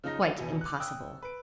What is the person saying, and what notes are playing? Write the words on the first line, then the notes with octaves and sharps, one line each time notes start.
Quite impossible!
C#3 F3 D#4 A#6
A6 C#7 D#7 F7
E2 B2
D6 F#6
G5 D#6 E6 F#6
B4 D7